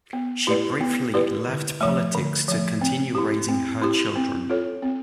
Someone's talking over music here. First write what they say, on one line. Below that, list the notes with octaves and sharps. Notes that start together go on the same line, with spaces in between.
She briefly left politics to continue raising her children.
B3
E4 G4 B4 D5
B3
E4 G4 B4 D5
D3
F3 A3
D3
F3 A3
C4
E4 G4
C4
E4 G4
C4
F4 A4 C#5
C4